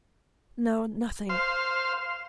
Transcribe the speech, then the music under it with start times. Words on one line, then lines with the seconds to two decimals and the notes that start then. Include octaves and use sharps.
'No, nothing.
1.29 C5 F5 C6